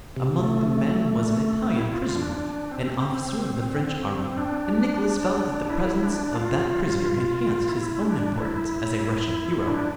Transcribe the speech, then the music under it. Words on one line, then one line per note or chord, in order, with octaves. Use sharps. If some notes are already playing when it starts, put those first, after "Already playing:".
Among the men was an Italian prisoner, an officer of the French army; and Nicholas felt that the presence of that prisoner enhanced his own importance as a Russian hero.
C3
A3
E4
F4
D4
D4
C4
D4
E4
D4
F4
E4
D4
E4
D4